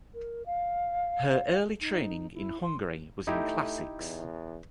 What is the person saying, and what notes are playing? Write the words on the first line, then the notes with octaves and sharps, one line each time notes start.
Her early training in Hungary was in Classics.
A#4
F5
D#4
E4
C6
A3 D#4 E4 G4
E2